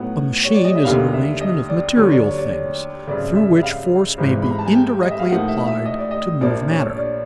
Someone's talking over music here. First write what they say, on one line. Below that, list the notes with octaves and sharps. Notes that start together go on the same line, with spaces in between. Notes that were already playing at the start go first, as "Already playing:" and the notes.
A machine is an arrangement of material things through which force may be indirectly applied to move matter.
Already playing: A2 F#3 B3 D#4 F#5
C#5
D5
D#5
E5
D#2 D3 G3 A#3 D#4 F5
E5
D#5
D5
D#2 D3 F#3 C#5
D5
C#5
D5
C#5
G#1 F#2 C#3 D5
E5
F5
G#1 G#2 E3
B5
A#5
A5
G#5
G5
D#5
E5
F5
A2 F3 A#3 D#4 F#5
E5
E5
D#5
D5
D#5
A#1 A#2 F3 A#3 D4 D5
C#5
C#5
D5